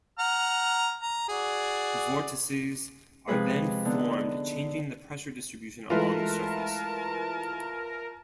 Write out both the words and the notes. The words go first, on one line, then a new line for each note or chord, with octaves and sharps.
Vortices are then formed changing the pressure distribution along the surface.
F#5 A#5 F6
A#5
F#4 G#4 D5
C3 F3 G#3 G#4 B4
D3 B3 D#4
E3 G#3 A3 F4 A#4 B4 E5 A5